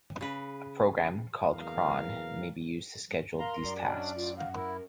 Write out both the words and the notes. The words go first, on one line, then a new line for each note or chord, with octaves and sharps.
A program called cron may be used to schedule these tasks.
C#3 B4
F#1 E2 A#4 F5
A#4 F5 A#5 C6
F#2 D5
F#3 C#4 D4 D#5
A2 F4
F5 F#5
E4 A#4